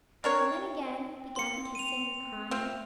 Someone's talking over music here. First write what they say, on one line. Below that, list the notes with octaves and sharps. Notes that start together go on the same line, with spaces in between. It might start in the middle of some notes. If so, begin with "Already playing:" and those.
And then again began the kissing and the crying.
C4 D4 A#4 C#5
C6 C#7
D#7 F7
A3 C4 F4